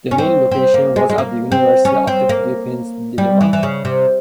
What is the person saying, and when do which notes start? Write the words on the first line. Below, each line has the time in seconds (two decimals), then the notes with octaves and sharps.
The main location was at the University of the Philippines Diliman.
0.11 C#4
0.18 C4
0.52 C4
0.74 A#3
0.96 G#3
1.10 G#3
1.18 A#3
1.52 C4
1.85 C#4
2.07 C4
2.29 A#3
3.18 G3
3.41 E3
3.53 E3
3.63 C#3
3.85 C3